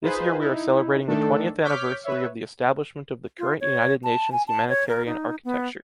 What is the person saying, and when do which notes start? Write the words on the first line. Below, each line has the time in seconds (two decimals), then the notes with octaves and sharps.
This year we are celebrating the twentieth anniversary of the establishment of the current United Nations humanitarian architecture.
0.02 D#4 F4 G#4 B4 C5
0.39 D#4 E4
1.07 D#3 A3 D4 A4
1.63 C#5 D6 F6 G6 B6
2.04 B4 C#5 E5
3.39 F4
3.60 C#5
4.04 A5
4.32 G#5
4.48 A5
4.69 C#5
4.88 A#4
5.06 D#4
5.45 B3